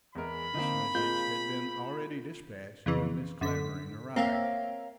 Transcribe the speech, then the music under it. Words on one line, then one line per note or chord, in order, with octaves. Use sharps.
This message had been already despatched when Mrs. Clavering arrived.
E2 G#3 A#4 B5
D3 A#3 C4 D#4
G#3 A#3 C4 F4 G6
F2 C#3 E3
F#2 D3 B6
A#3 C4 C#5 E5 F5